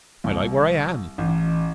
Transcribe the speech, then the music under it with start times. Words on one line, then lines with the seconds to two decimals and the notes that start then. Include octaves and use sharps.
I like where I am.
0.24 C2
1.18 A1